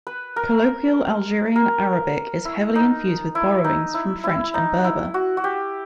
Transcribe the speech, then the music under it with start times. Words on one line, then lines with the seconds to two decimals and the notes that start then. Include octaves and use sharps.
Colloquial Algerian Arabic is heavily infused with borrowings from French and Berber.
0.07 B4
0.36 A#4
1.56 A#4
2.45 E4
2.75 D#4
3.35 E4
3.64 D#4
3.94 E4
4.24 E4
4.54 D#4
4.84 E4
5.14 F#4
5.37 F#4
5.44 G4